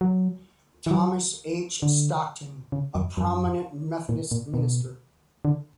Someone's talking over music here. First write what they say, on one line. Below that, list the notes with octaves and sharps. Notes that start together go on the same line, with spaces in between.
Thomas H. Stockton, a prominent Methodist minister.
F#3
E3
F#3
D3
C#3
F#2
F#2
A#2
A#2
B2
D3